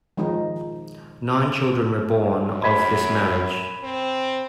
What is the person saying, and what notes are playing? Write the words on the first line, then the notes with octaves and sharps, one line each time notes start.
Nine children were born of this marriage.
D#3 F3 G#3 D#4
F#2
B5 G#6 B6
C4